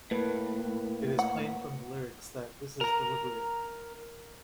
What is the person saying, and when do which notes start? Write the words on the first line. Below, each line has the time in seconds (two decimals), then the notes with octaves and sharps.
It is plain from the lyrics that this is deliberate.
0.11 A2 A#3 B4
1.19 F#5
2.81 A#4 A#5